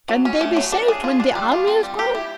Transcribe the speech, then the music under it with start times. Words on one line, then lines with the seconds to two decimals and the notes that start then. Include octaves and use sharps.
Can they be saved when the army has gone?
0.09 F#3
0.25 C#4
0.41 A3
0.57 F#3
0.72 D4
0.88 G#4
1.04 F4
1.20 D4
1.35 G3
1.52 F4
1.67 C4
1.83 G3
1.99 G4
2.15 E4